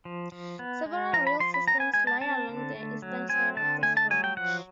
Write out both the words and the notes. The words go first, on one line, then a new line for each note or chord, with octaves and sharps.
Several rille systems lie along the eastern side of this range.
F3
F3
B3
G#3
F3 A#5
B5
F3 C6
B5
B3 A#5
G#5
G#3 G#5
A5
C4 A5
D3
A3
F#3
C4 G#5
D3 A5
A3 G#5
A5
F#3 G#5
G5
F3 F#5